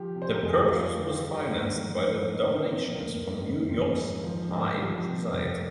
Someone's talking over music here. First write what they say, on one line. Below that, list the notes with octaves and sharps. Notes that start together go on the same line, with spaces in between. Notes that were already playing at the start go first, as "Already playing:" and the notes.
The purchase was financed by the donations from New York's high society.
Already playing: F3 G4
C3
C5
A#4
F2 G#4
G4
F3 F4
D3
G2
G#2
F3
G#2
A#2 D#4
D4
F3
C4
A#2
A#3
F2
D#3
F2
G#2
F3
G#2
F3 G3
C3
F2